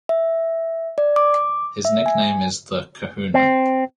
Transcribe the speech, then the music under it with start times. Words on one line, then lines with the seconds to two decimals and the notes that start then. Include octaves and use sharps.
His nickname is "The Kahuna".
0.09 E5
0.98 D5
1.16 D6
1.85 E5
2.06 G#5
3.34 C4